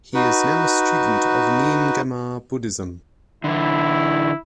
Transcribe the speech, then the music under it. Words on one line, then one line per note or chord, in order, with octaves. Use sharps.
He is now a student of Nyingma Buddhism.
D#4 F#4 B4
D3 E3 E4